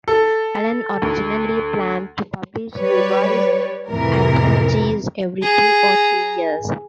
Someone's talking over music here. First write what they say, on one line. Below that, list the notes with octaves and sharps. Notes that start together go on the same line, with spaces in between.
Allen originally planned to publish revised anthologies every two or three years.
A4
D2
G3 B4 C#5 D5
F2 A2 C3 E3 A#4
G#4 A#5